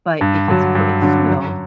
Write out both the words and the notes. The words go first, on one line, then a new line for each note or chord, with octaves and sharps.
but if it's put in soil,
G2
D3 F#3
G2
D3 F#3
F#2